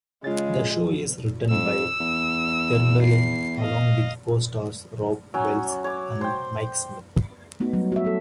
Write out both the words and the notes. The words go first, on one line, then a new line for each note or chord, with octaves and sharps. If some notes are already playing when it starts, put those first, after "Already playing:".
The show is written by Tremblay along with co-stars Robb Wells and Mike Smith.
C#3 G#3 F4 A6
F2 E6
E2
C7
D#5 F5
F#3 C#4
C#5 D6
C5 G5
A3 B3 D#4 F#4
F#3 G3
F#4 E5
F#4 A4